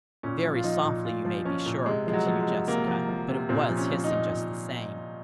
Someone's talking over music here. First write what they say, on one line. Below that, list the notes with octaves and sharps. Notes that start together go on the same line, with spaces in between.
Very softly, you may be sure," continued Jessica, "but it was hissing, just the same.
A#2 C#4
F3
F4
F3 D#4
A#2
A#2 F4
F3
F3 C#4
A#2
C3 G#3
F3 G#3
F#3
F3
G#3
C3
C3 A#3
F3
F3
C3
A#2 C4
F3
C#4
F3
D#4
A#2
A#2